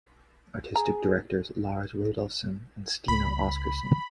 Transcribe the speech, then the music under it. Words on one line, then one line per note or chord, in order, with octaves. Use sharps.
Artistic Directors - Lars Rudolfsson and Stina Oscarson.
G#4 A#5
C#2 B5